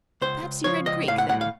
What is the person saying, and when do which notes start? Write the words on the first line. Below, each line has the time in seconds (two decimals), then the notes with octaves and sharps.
Perhaps you read Greek, then?'
0.21 C#2 C5
0.43 C#2
0.64 F3 C#5
0.86 C#2 D#5
1.08 A2 F5
1.18 F#5
1.29 A2 F#5
1.41 F5